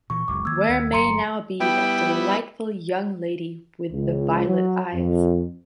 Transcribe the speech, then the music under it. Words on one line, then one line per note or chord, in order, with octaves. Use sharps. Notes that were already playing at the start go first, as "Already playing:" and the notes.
Where may now be that delightful young lady with the violet eyes?
A#2 E3 C#6
F#1 C#2 C#3 D6
D#3 A#3 E6 G#6
D#2
G1 F#3 A#5 C6 C#7
G3 B3 E4 G5
C#2
F#3
F2